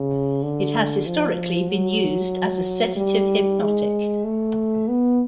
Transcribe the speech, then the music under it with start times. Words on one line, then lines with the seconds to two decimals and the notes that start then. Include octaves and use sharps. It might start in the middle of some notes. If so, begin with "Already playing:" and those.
It has, historically, been used as a sedative hypnotic.
Already playing: C#3
0.43 D3
1.06 F3
1.70 F#3
2.96 G3
3.60 G#3
4.25 A3
4.88 B3